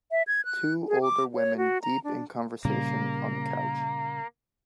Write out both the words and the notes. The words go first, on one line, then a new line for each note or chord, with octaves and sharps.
Two older women deep in conversation on the couch.
E5
G#6
F#6
G#4
D6
C#5
F#4
A#5
D4
A#2 C#3 G3 A#3